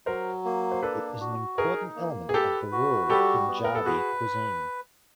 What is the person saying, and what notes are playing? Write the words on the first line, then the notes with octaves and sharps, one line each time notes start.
It is an important element of the rural Punjabi cuisine.
F#3 A#4 C5
A#3
C5
D4 A4 B4
F#4
D#4 G#4 A#4
A#3
G#4
G4 A4 B4
F#4
G3 G4 A4
B3
A#4
A4
F#4 G#4 B4